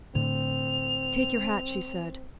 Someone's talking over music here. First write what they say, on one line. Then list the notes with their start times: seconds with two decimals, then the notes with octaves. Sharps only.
"Take your hat," she said.
0.15 A2 D3 C4 F7